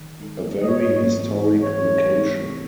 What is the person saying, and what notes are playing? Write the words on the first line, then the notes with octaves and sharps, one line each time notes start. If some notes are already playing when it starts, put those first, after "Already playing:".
A very historic location.
Already playing: D#3
G#3 D#4 A4
D#5
G#2 C#5
E3 C4 F#4 A4
E3 C#5
C4 E4 A4